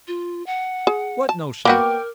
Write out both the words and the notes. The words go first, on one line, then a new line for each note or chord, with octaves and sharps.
"What notion?"
F4
F#5
G#4
A5
A#3 B3 F#4 A#4 G5 D6